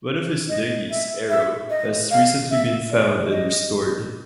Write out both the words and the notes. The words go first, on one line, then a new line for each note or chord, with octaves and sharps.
One of his dinghies, "Aero", has recently been found and restored.
D#5
E5
E5
D#5
F5
E5
D5
D#5